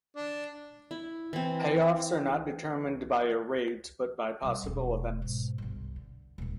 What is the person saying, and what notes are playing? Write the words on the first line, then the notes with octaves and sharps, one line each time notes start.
Pay offs are not determined by a "rate", but by possible "events".
D4
E4
E3 C4
C3 G3
E1 D#3
G#2 B2
G1 C2
D3
D#1 C#2